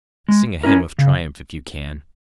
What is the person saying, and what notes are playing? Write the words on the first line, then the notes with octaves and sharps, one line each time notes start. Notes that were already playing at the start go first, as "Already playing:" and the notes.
Sing a hymn of triumph if you can....
G#3
C#4 E4 A#4
C#3